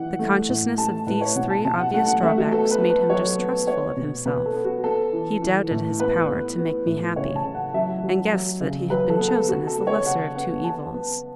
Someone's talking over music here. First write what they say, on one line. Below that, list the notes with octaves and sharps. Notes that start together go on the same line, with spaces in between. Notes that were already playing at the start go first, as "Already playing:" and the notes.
The consciousness of these three obvious drawbacks made him distrustful of himself; he doubted his power to make me happy, and guessed that he had been chosen as the lesser of two evils.
Already playing: E3 F#5
A3
A2
A3 A5
A2 B4
C#5
B2 F#5
A5
B2 A5
F#5
A3 F#5
F#5
A3 E5
F#4
B3 A4
B4
B3
B4
F#3 C#5
B3
B3 C#5
B2
B2 B4
A4
B3
F#4
B3 A4
E3
E3
A2
B3 B4
B3
B3
A2
C#3 C#5
A5
C#3
F#5
F#3 E5
F#3
F#3
C#3
F#3 B4
A4
B3
A4
B3 F#4
A4
B3
C#5
C#3 F#5
B3 F#5
B3 A5
B3